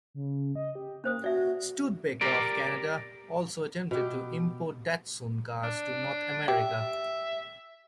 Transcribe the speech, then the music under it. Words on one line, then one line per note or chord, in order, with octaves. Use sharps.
Studebaker of Canada also attempted to import Datsun cars to North America.
C#3
D#5
G4
A#3 C#4 C5 D#6
F#4 D5 E5
G4 A#4 D5
B2 G4
D4
G4 E5